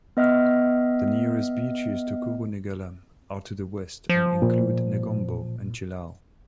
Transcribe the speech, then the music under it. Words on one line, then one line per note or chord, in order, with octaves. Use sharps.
The nearest beaches to Kurunegala are to the west and include Negombo and Chilaw.
B3 D#5 E5 F6
F3
A#2